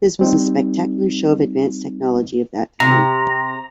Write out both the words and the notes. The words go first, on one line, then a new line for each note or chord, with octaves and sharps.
This was a spectacular show of advanced technology of that time.
G3 C4 D#4
C3 A#5